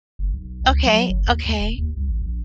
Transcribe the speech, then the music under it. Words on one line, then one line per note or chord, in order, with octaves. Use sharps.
Okay, okay.
F#1
B1
C#2
F#3
G1
D#2
D#2
E1
D#2
C2
A1
A#1